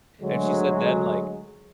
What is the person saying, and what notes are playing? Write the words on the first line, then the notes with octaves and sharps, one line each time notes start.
And she said then, like,
D2 F#3 G#3